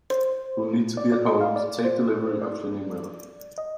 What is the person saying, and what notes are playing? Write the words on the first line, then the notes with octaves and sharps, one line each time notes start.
You will need to be at home to take delivery of your new mirror.
C5
D5
D5
D#5
F5
D5
C5
D5
D#5